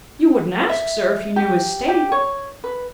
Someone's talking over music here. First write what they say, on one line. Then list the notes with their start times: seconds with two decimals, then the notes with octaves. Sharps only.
'You wouldn't ask, sir, if you knew his state.
0.69 E5
1.36 G4
1.88 G4
2.12 C#5
2.64 B4